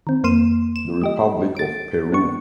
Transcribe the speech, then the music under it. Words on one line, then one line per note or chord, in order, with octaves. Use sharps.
The Republic of Peru.
D#3 C4
F2 A#3 C6 D#7 E7
E7
G#3 G4 D#5
A6 D7
B3 D4 C#6